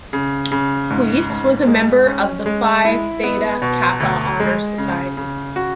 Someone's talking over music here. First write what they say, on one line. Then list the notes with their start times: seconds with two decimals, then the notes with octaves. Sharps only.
Weiss was a member of the Phi Theta Kappa Honor Society.
0.13 C#3
0.52 C#3
0.90 G#2
1.30 G#2
1.67 G#3
2.06 C#4
2.46 G#3
2.85 E4
3.23 B3
3.62 B2
4.00 D2
4.40 G#3
4.78 C#3
5.17 C#3
5.56 F#4